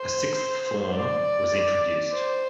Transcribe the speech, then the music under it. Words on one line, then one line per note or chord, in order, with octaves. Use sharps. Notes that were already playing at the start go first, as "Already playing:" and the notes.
A Sixth Form was introduced.
Already playing: C5
D5
C5